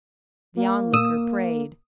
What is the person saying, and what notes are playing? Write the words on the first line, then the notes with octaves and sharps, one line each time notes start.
The Onlooker prayed.
A#3
A#2 D#6 E6